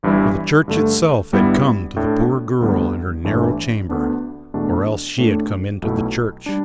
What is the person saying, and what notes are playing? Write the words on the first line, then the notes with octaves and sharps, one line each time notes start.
For the church itself had come to the poor girl in her narrow chamber, or else she had come into the church.
G1 G2 E3 G3 E4
G2 D3 A3
G1 G2 G3 B3 E4
A2 A3 D4
D2 D3 G3 B3
G1 G2 E3 A3 D4
D2 D3 B3 D4
E2 B2 A3 D4
A2 A3 D4
B1 B2 A3 E4
G3 D4